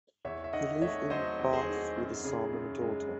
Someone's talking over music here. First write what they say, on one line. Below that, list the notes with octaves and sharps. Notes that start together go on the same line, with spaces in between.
They live in Bath with a son and daughter.
E2 C#5 E5
E5
D#3 D#5 F#5
A3 C#5 E5
F#3 C5 D#5
E2
G#4 C5
D#3
F#2
C#3 G#4
F#2
G#3